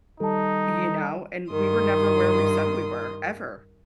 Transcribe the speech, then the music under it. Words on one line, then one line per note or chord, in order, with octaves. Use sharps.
You know, and we were never where we said we were ever,
D#3 G3 D#4 A4 A5
G2 D#3 C6 D#6